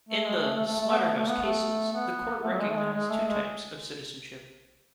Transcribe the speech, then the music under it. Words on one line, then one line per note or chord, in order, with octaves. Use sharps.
In the "Slaughter-House Cases" the court recognized two types of citizenship.
A3
G#3
A3
A3
A3
A3
B3
A3
A3
B3
A3
B3
A3
F#3
G#3
A3
G#3
G#3
A3
G#3